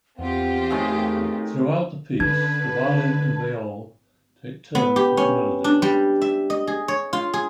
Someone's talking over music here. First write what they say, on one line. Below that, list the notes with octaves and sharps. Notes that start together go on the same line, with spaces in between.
Throughout the piece, the violin and viol take turns with the melody.
E2 C4 F4 G4 F#5
A2 D#3 D#4 G#4
D3 C#4 B4 A5 G#6
B3
G4
C#4
D4
G3
E5
D#5
G#4
C#5
F4
G#4